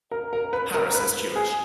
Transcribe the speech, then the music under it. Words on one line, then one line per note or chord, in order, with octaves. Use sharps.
Harris is Jewish.
A#4
A#4
B4
A#4
B4
G#4